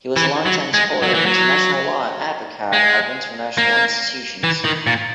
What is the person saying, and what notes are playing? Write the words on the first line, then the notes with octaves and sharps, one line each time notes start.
He was a longtime scholar of international law and advocate of international institutions.
E3
F#3
G#3
F#3
E3
F#3
G#3
A#3
E3
D#3
A#2